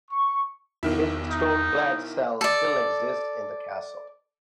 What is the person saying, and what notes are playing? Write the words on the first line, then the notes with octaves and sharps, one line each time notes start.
His stone-clad cell still exists in the castle.
C#6
B1 E2 D#3 E4
D#4
A4 D5